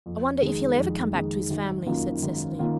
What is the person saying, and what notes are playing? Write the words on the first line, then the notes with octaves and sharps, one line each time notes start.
"I wonder if he'll ever come back to his family," said Cecily.
F2
D#3 G#3
F2
D#3 G#3
G#1
F#2 D#3 A#3 F4
G#1
D#3 A#3 F4